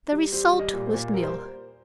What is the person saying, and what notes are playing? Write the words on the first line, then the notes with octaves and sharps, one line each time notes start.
The result was nil.
G3
G3 C5
G3
D#5
A#2
C5
A#2
G3 A#4
C5